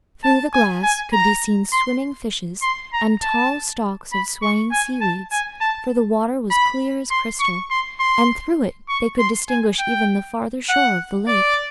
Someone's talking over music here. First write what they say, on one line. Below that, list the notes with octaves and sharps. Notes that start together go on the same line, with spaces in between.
Through the glass could be seen swimming fishes, and tall stalks of swaying seaweeds, for the water was clear as crystal and through it they could distinguish even the farther shore of the lake.
A5
G#5
G#5
A#5
C6
C6
A#5
A5
B5
C#6
G#5
A5
G#5
A5
B5
C6
C#6
C6
C6
C#6
C6
G#5
G5
F#5
D5